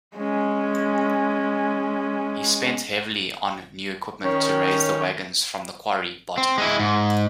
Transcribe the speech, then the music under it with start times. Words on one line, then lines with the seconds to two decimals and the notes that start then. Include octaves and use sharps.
He spent heavily on new equipment to raise the wagons from the quarry bottom.
0.16 G#3 C#4
4.24 D#3 C#4
6.38 C4
6.58 G#3 E4
6.80 G#2